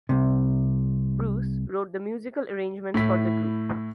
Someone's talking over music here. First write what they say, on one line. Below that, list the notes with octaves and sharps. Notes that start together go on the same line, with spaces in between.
Bruce wrote the musical arrangements for the group.
C2 C3
A2 E4 B6